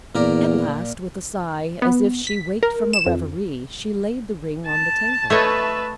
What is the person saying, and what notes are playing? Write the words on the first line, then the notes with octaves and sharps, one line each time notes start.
At last, with a sigh, as if she waked from a reverie, she laid the ring on the table.
E2 A#2 A#4 D5
B3
B6
A#4
E7
F2
A5
A3 B4 C#5 D#5 E5